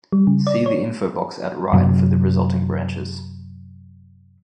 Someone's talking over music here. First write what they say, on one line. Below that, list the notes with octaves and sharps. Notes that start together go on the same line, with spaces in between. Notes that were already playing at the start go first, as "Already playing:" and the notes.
See the infobox at right for the resulting branches.
G3
C#3
D5
C#5
F#2 C3 F#3